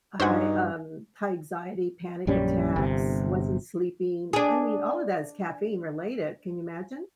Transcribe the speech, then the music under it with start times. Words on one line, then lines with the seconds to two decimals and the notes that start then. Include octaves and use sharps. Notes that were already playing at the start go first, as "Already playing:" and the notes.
uh, high, um high anxiety, panic attacks, wasn't sleeping, I mean, all of that is caffeine related, can you imagine?
0.20 G2 D#4 F#4 C5 F#5 G#5
2.27 A#1 F#2 G3 C#4
2.76 G1 C3
4.33 D4 G#4